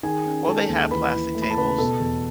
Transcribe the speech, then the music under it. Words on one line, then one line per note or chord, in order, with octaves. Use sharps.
Well, they have plastic tables,
D#3 G#4 G#5
C#4
G#3 A4 A5
D#2
E3 B4 B5
E4
A3
B5
A5
C#3 B4 B5
B2 A4 A5
E2